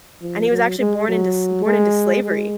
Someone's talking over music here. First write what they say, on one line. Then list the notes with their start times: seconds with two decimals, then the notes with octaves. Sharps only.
And he was actually born into s born into slavery,
0.22 F3
0.51 F#3
0.79 G#3
1.08 F#3
1.66 G#3
2.23 G#3